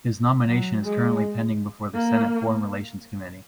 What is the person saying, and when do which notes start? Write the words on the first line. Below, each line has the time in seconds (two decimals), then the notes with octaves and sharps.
His nomination is currently pending before the Senate Foreign Relations Committee.
0.48 F#3
0.84 G#3
1.94 A#3